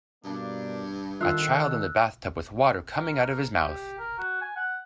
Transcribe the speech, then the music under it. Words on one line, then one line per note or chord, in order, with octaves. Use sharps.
A child in the bathtub with water coming out of his mouth.
G2 B2 A#3 D4
D#3 F4 A4 E5 E6 F#6
A#4
G4
A#4
F#4
G#5
F#5